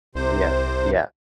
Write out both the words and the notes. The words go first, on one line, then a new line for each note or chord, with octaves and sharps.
Yeah. Yeah.
C2 C3 C5